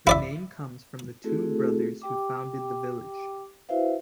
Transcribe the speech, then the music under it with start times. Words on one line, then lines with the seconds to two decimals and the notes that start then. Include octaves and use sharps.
The name comes from the two brothers who founded the village.
0.07 E4 D5 E5
1.24 A3 C4 E4 F#4 G#4 A4
2.02 G4 G5 D6
3.69 E4 F#4 B4 C5 E5 F5